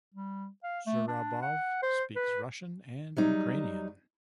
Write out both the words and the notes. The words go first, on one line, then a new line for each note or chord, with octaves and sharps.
Zurabov speaks Russian and Ukrainian.
G3
F5
A3
D4
F#5
C5
B4
F#3 G3 D#4